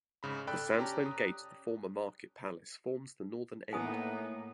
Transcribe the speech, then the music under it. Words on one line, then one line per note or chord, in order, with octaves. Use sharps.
The sandstone gate of the former market palace forms the northern end.
G#2 C#3 B5
A4 D5 G5 B5 F#6
C#4 G4 A5 A#5
D#6
A2 A#3 B3 D#4 G#5 D#6